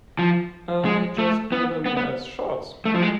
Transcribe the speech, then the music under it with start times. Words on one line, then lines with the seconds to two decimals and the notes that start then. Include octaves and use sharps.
I just wear them as shorts.
0.19 F3
0.85 G#3
1.18 A3
1.52 B3
1.86 B3
1.97 B3
2.85 A3
2.94 F3
3.02 G#3